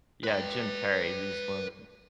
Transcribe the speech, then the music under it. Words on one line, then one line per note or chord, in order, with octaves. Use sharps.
Yeah, Jim Carrey. He's one of the,
B4 G5